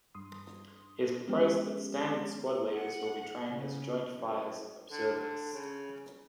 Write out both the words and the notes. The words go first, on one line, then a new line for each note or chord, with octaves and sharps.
It is proposed that standard squad leaders will be trained as Joint Fires Observers.
G2 C6 D#6
F3 G#3 B3 C#4 G4
F#5
C#3
F#2
D3
D3
C#3